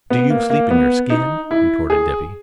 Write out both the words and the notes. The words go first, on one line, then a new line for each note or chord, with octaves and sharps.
"Do you sleep in your skin?" retorted Dippy.
B3
A#3
A#3
B3
D#4
E4
G#4